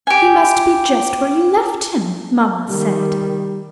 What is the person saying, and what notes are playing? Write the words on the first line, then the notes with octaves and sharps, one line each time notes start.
"He must be just where you left him!" Mama said.
G4 G#5
D#3 G3